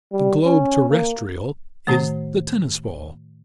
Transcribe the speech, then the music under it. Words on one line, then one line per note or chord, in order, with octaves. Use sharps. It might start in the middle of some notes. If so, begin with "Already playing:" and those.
The globe terrestrial is the tennis-ball.
G3
C#4
A#3
A2 D#3 A3